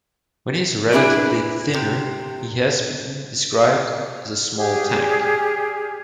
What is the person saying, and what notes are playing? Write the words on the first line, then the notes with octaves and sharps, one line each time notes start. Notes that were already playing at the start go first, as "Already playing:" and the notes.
When he is relatively thinner, he has been described as "a small tank".
D4 E4 G#4 B4 D5
C3
F6
G4 G#4 D5 F6